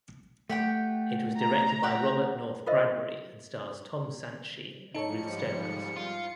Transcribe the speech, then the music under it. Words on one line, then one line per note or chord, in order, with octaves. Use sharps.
It was directed by Robert North Bradbury and stars Tom Santschi and Ruth Stonehouse.
A3 G4 F#5 G5
A#5
G4 F#5 G5
F4 A4 A#4 C5 D#5 E5
G#2 F3 G3 D#4 A4 C#5 C#7
F4